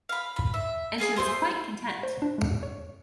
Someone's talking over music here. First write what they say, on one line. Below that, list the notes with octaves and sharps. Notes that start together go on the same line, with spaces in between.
And she was quite content.
F5 B5
B5
E5
G#4 F5 G#5
A3 C5 C6 D#6
F#5
C5
D4
G#3
C#5